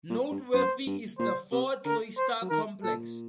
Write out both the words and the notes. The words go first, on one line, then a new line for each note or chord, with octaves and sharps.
Noteworthy is the four cloister complex.
A#2
G2
F#2 C5
G2
A#2 C5
C3
D3 A#4
C5
F#3
D#3 A#4
A#2 A4